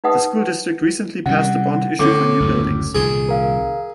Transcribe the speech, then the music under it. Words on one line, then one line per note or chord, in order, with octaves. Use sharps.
The school district recently passed a bond issue for new buildings.
D#4 B4 F#5 D#6
C3 G3 C#4 F#5
A2 D3 C#4 D6
F#1 D2 G#2
C2 A#2 D#3 G#4
A#4 F5